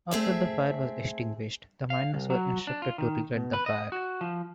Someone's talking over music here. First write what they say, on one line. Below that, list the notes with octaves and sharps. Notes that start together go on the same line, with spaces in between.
After the fire was extinguished, the miners were instructed to relight the fire.
A3 C4 G#4 E5
F5
C2
F#3
D4
F4
D#3
B2
B4
D#5
F#4
F3